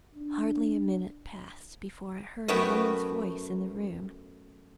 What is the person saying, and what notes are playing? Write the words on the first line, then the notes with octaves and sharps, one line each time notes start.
Hardly a minute passed before I heard a woman's voice in the room.
D4
F#2 A3 B3 F#4 G5 B5